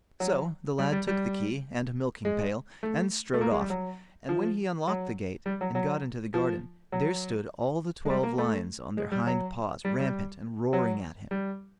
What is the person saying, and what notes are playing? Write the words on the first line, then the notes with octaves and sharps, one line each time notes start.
So the lad took the key and a milking pail, and strode off; and when he unlocked the gate and got into the garden, there stood all the twelve lions on their hind-paws, rampant and roaring at him.
F#3
G3
G3
G3
G#3
A3
A3
A#3
G#3
G3
F#3
F3
F#3
G3
F#3
F#3
F3
F#3
G#3
G3
A#3
A3
G#3
G3
F#3
G3
G3
F#3
G3